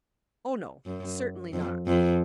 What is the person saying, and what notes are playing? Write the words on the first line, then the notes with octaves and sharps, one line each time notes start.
"Oh, no, certainly not!"
F#2
F2
F2